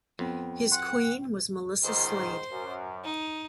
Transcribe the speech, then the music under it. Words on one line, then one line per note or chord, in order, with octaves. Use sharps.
His Queen was Melissa Slade.
F2 B3 G5
F#5 C6
C#2 G#2 D#3 C5
F#2
D#4